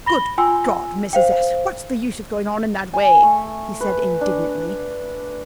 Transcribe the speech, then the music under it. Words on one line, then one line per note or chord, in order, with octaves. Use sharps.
"Good God, Mrs. S.! what's the use of going on in that way?" he said, indignantly.
B5 A#6 G7
F4 G5 G#5 C6 E6
C5 F5 G5
G#5
A3
B4
D4